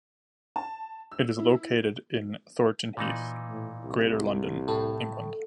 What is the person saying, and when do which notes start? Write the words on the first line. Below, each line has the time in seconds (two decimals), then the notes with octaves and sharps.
It is located in Thornton Heath, Greater London, England.
0.56 A5
1.12 E6
1.39 E4
2.97 A#2 E3 D#4
3.49 A2
3.83 C2
4.68 A2 A4